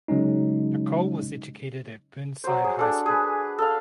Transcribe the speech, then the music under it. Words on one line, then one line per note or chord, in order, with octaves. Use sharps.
Nicole was educated at Burnside High School.
C#3 F#3 G#3 C#4 D#4
F#3 C5
G#4
D4 A4
G#4 B4
A4 F5